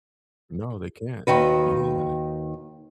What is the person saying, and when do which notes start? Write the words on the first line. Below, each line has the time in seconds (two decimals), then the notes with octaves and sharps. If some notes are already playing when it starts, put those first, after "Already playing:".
No, they can't. Yeah.
1.27 D#2 D#3 F#4 B4